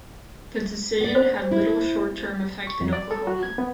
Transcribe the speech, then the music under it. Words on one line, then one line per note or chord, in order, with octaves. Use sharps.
The decision had little short-term effect in Oklahoma.
B3 D5
C5
E4
C#6
F2
D5
A4
F#4
G#6
B3